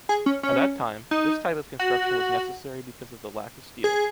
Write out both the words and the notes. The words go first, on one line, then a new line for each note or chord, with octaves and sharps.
At that time, this type of construction was necessary because of the lack of steel.
G#4
C#4
C#4
D#4
F#4
G#4